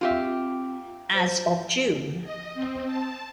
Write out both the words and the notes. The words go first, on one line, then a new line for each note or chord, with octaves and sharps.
As of June.
C4 F4 G4 E5
C5
D#5
C4
A5